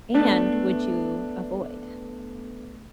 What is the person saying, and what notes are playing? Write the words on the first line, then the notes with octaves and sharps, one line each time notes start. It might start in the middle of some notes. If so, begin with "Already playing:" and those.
And would you avoid?
A3 B3 D4